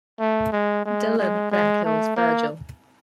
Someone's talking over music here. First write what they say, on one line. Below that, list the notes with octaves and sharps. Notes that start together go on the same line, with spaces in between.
Dylan then kills Virgil.
A3
G#3
G#3
G#3
G#3
A3
A#3